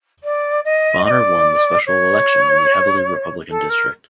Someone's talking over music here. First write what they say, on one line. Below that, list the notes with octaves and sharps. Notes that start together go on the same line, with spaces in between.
Bonner won the special election in the heavily Republican district.
D5
D#5
D#5
D5
C#5
A4
A#4